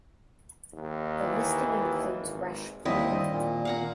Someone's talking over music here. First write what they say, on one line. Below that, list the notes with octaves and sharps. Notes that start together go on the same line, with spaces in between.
The listing includes Resch Park.
D#2
E3
D#2
G#1
D#2 G3 C4 E4 D5 D#5
D#3 D4 D5
A#2
F5 F#5 A#5